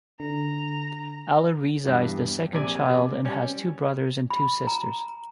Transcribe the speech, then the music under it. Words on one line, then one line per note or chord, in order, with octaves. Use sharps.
Alireza is the second child and has two brothers and two sisters.
D3 A#5
E2 G2
A#1 C3 D5 G#5
C3
G3 C#4
B5
A#5